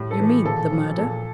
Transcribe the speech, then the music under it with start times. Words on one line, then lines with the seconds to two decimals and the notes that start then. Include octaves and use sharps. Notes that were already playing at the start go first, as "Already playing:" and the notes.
"You mean the--murder?"
Already playing: A2 G3
0.11 A4
0.19 E3
0.45 A#2 A4
0.71 F3
0.98 A#2 A4